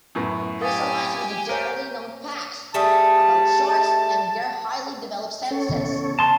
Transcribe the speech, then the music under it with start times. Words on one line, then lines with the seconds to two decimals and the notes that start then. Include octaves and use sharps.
This aligns with the generally known facts about sharks and their highly developed senses.
0.15 F#2 A2 B3
0.61 G4 F5 G#5 D#6 A6
1.49 A#4 C5 C#5 G6
2.74 G3 A3 G#4 A5
5.51 C#4 A4 C#5
5.69 C#3 E3 B3
6.19 A5 C6